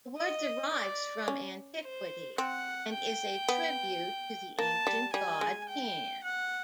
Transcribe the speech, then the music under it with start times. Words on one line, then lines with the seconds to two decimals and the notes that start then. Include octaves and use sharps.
The word derives from antiquity and is a tribute to the ancient god, Pan.
0.18 D#5
0.72 D5
1.28 C#4
1.84 C5
2.38 C4 F#5
2.94 G5
3.48 B3
4.59 A#3 A5
4.87 G3
5.13 G3 G#5
5.41 G#3
5.69 G5
6.23 F#5